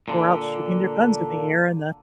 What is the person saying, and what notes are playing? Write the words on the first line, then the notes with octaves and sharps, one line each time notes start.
were out shooting their guns in the air, and the
A#2 D3